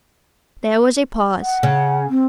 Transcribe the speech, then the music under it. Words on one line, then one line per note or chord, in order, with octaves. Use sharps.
There was a pause.
F#5
C#3
C4